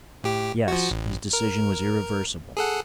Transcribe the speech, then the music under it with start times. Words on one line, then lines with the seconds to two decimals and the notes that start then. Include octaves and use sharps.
Yes: his decision was irreversible.
0.24 A2 G4
0.68 F3 F#4
0.91 A1
1.33 A#4
2.57 G#4 A4 F#5